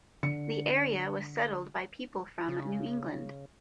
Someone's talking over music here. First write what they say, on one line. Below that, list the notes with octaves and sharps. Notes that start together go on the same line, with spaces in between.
The area was settled by people from New England.
D3 C#7
C#3